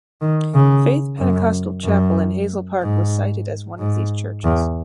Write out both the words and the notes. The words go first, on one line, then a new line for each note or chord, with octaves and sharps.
Faith Pentecostal chapel in Hazel Park was cited as one of these churches.
D#3
C#3
F#2
F#2
G#2
G#2
E2